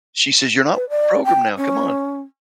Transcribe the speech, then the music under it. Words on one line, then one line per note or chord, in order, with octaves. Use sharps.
She says, "You're not programmed now, come on.
B4
D5
G5
C#4